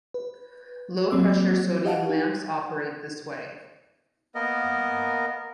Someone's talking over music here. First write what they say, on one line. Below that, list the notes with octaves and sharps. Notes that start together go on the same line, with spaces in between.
Low pressure sodium lamps operate this way.
B4
F#3 A#3 C4 D6 E6
G4 D#5 F5 F#5 A5
D#4
A#3 B3 A#4 D#5